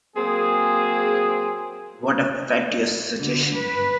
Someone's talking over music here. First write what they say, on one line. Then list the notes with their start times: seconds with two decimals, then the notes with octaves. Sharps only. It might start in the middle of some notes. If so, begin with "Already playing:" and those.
What a fatuous suggestion!
0.16 F#3 A#3 C4 G#4
3.17 D3
3.56 B4